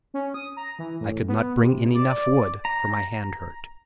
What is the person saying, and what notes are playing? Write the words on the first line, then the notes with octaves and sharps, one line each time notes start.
I could not bring in enough wood, for my hand hurt.
C#4
D#6
A#5
E3
A2
B3
C3
D5
A#5